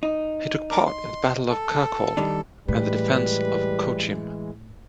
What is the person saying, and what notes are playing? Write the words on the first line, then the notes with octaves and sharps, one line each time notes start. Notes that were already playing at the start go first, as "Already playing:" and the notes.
He took part in the Battle of Kircholm, and the defense of Chocim.
D#4
D4 A#4 D6
C6
A4
D#3 G3 D4
A2 E3 G3 G#3 B4